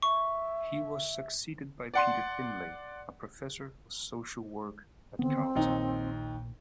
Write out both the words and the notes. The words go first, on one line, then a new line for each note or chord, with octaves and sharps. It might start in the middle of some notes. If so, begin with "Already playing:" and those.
He was succeeded by Peter Findlay, a professor of Social Work at Carleton.
E5 C#6
D5 F#5 C6
D3 D#3 B3 C4
A#1 D#2 A#2 D#4